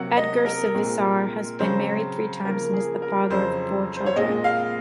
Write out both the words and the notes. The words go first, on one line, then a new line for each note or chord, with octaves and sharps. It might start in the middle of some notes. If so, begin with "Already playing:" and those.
Edgar Savisaar has been married three times and is the father of four children.
Already playing: C3 F#3 A#3 F#5
D#5
A#4
A#2 G#3 C4
C#3 F#3 C4 C5
C#3 F3 A#3 A#4
G#4
A#4
F2 C#3 F#3 C5
C5
C#5
A#2 G#3 C4 D#5
F5